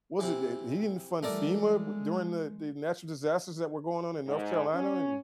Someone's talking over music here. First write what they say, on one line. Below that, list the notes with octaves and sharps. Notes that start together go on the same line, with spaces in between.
was it that he didn't fund FEMA? W during the the natural disasters that were going on in North Carolina? And
C3 E3
E3 G3 A3 A#4 D5
G#3
G#2
C#4